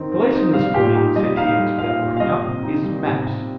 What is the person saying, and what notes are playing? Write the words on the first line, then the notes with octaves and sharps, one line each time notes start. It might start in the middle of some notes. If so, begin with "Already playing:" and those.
"The lesson this morning," said T. X. without looking up, "is maps."
Already playing: D#3 C4 D#4
C4
D#4
G3 F5
A#2 G4
D#4 G4
G3 D#5
D#4 F5
G3
A#2 F5
A#2
F5
G3 D#5
C3
D#4
G3
C3
C3